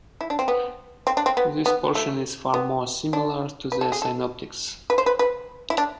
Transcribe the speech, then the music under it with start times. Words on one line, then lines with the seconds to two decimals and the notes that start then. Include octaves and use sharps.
This portion is far more similar to the synoptics.
0.21 E4
0.30 D4
0.39 C4
0.48 B3
1.07 C4
1.17 D4
1.26 C4
1.37 B3
1.66 B3
1.95 A3
2.54 B3
3.13 D4
3.72 B4
3.81 A4
3.92 G#4
4.02 A4
4.90 B4
4.98 C5
5.06 B4
5.19 B4
5.70 E4
5.78 D4